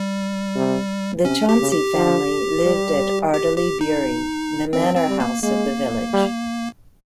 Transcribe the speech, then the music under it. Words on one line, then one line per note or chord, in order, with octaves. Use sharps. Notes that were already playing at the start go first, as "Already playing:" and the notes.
The Chauncy family lived at Ardeley Bury, the manor house of the village.
Already playing: G3
C3
C3 C#4
G4
C#3
G4
F3
G3
G4
G4
D#4
D#3 C4
C4
G3
A#3
G#3 A#3
G3